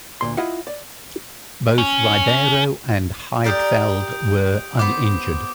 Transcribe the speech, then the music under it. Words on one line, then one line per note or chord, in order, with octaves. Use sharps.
Both Ribeiro and Heidfeld were uninjured.
D2 A#2 C6
E4 F4 D#5 E5 F#5
D5
C#4
G4 A#4 D5 D#6 G6 D7
B3 C5 D6